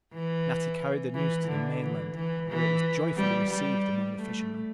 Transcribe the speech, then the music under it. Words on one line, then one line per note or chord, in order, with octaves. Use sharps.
Natty carried the news to the mainland, where it was joyfully received among the fishermen.
E3
E3
D3
E3
E3
E3
G3
G3
A3